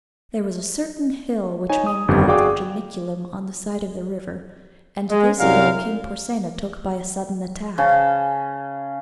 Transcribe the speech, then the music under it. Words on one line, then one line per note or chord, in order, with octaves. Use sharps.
There was a certain hill which men called Janiculum on the side of the river, and this hill King Porsenna took by a sudden attack.
D#4 C#5 G#5
D#6
G1 F2 D#3 G3
F#4 G#4 D5 F5 G5 D6
G#3
C2 F#2 G3 A#4 F5
C#3 C#4 A5